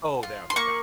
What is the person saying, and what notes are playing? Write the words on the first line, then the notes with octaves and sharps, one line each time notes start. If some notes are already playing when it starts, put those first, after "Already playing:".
Oh, there okay, got it.
F4
C6
A#3 C#6